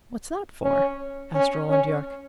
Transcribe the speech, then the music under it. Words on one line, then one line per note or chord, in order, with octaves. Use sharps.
"What's that for?" asked Roland Yorke.
C#4
C#4
C#4